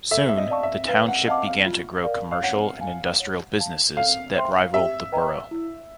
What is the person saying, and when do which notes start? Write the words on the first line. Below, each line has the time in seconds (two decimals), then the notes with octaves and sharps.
Soon, the Township began to grow commercial and industrial businesses that rivalled the Borough.
0.11 A4 E5
0.29 E5
0.37 D#5
0.50 D5 F5 A5 C#6
0.63 E5
0.88 B4 F5
1.08 F#5
1.27 D#5 F5 F#5 A5 D6
1.47 F5
1.66 F4
2.04 A#4 D5 F5
2.31 F5
2.42 C#5 F#5
2.81 F5 G#5
3.20 C#5
3.59 F5 A5
3.97 A4 F5
4.35 C5 E5 G5 C6
4.73 G4 E5
5.12 B4 D#5 G5 A#5
5.51 E4